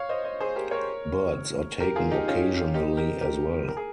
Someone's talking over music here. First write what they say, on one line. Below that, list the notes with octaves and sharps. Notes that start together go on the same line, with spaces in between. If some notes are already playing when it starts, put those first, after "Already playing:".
Birds are taken occasionally, as well.
Already playing: C#5 F5
C5 D#5
C5 D#5
G#4 C5
G4 A#4
A#4 C#5
G4 A#4
F4 G#4
D#4 G4
C#4 F4
D#4 G4
G4 A#4
G4 A#4
A#4
G#4